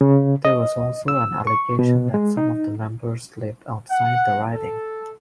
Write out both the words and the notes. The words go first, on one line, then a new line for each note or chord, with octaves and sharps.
There was also an allegation that some of the members lived outside the riding.
C#3
D#5
E6
C#6
B2
G#3
D#4
F#5
A4